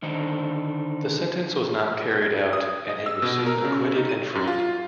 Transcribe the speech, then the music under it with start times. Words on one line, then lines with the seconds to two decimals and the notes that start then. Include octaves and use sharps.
The sentence was not carried out, and he was soon acquitted and freed.
0.02 D3 D#3 D4 D#4 C5
2.22 G#6
2.53 D#6
2.89 D#5
3.06 E6
3.22 B2
3.46 A#4
3.64 C#3
3.96 D#4
4.09 D#7
4.35 F#2
4.48 F4